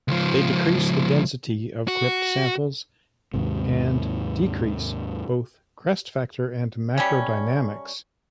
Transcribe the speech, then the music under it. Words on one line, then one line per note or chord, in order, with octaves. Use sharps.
They decrease the density of clipped samples, and decrease both crest factor and macro-dynamics.
C#2 F3
F#4
D#2 G#2 C3
G3 A3 C#4